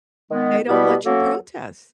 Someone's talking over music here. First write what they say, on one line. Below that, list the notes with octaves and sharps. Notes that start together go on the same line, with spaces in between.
They don't let you protest.
D#3 G#3 B3
B2 G3 B3 E4 G4
F#3 A#3 C#4 F#4 A4